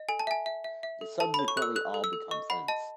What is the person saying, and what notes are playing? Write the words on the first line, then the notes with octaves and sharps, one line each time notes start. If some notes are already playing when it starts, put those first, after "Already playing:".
They subsequently all become friends.
Already playing: D#5
A4 G#5
A5
E5 G#5
E5
E5
E5
A4
A4 A5
C#5 B5
C#6
A4 E6 F#6
A4 F#6
A4
E6
A4
D#5 C#6
F#5 B5
D#5 A5